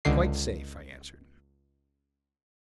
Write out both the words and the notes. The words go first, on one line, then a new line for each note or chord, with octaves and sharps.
"Quite safe," I answered.
C#2 D3 C7